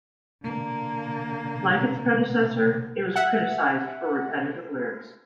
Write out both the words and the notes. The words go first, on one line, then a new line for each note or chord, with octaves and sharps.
Like its predecessor, it was criticized for repetitive lyrics.
D3 A#3
E5 F#5